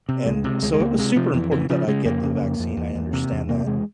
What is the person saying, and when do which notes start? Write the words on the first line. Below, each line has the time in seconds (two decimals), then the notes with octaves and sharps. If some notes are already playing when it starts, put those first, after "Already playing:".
and so, it was super important that I get the vaccine, I understand that,
0.09 C3
0.26 C#2 G#3
0.44 C3
0.62 C#2 G#3
0.73 G#3
0.80 C#2 A#3
0.98 C3 G#3
1.16 C3 F3
1.34 F2 E3
1.51 C#3 E3
1.70 C#3 F3
1.87 C#3 G#3
2.05 F2 A#3
2.23 C#3
2.42 F2
2.59 F2
2.77 E2
2.95 E2
3.13 C3
3.32 E2
3.49 C3 A#3
3.66 E2 G#3